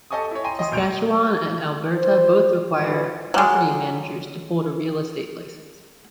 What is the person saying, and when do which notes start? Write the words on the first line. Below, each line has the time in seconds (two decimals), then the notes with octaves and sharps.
Saskatchewan and Alberta both require property managers to hold a real estate license.
0.11 G4 A4 D#5 G#5 C#6 D#6
0.31 E4 C#5
0.44 G5 G#5 A#5 C6 D#7
0.59 D#5 G5 C6 D#6
0.71 F1 B1 B2 G6 D7 F7
1.96 C5
2.75 G#2 E3 F#3 F4 B4
3.34 F#3 G#3